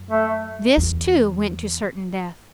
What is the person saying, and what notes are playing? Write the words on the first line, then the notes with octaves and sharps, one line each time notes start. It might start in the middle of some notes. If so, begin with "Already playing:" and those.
This, too, went to certain death.
Already playing: F#2
A3
E2